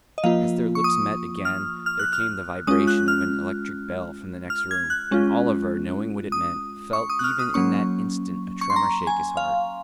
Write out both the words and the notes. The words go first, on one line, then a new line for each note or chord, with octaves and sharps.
As their lips met again there came the vibration of an electric bell from the next room, and Oliver, knowing what it meant, felt even in that instant a tremor shake his heart.
D#5
F3 A#3 F4 F5
C#6
D#6
F6
F6
F#6
F6
G#3 C#4 F4 D#6
F#6
F6
F6
G#6
F#6
G#3 C#4 F4
D#6
C#6
D#6
F#6
F6
D#6
F#3 A#3 C#4 C#6
C#6
C6
A#5
G#5
F5